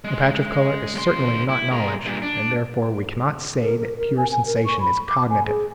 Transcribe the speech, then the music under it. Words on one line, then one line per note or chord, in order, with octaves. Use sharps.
A patch of colour is certainly not knowledge, and therefore we cannot say that pure sensation is cognitive.
G#3
D2 C6
E4
G#3 A#4
G2 A#2
D4
A#4
A#4
A#4
G#5
G#5
A#4
C#6
B5
D6
G#5
G#4